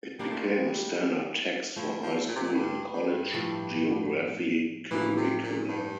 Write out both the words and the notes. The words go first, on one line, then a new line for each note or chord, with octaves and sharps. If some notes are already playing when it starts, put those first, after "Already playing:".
It became a standard text for high school and college geography curricula.
G3 A#3 D4 F4 C5
A3
G3
F3 A3 E4 A4 E5
F3
A#2
C3
A#2
G2
G2
A2 F3 A3
A2 E3 F3 A#3 D4
C3
A#2
G2